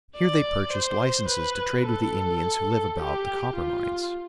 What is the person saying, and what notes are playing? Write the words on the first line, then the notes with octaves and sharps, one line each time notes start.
Here they purchased licenses to trade with the Indians who live about the copper mines.
D5
C5
B4
A4
G4
F4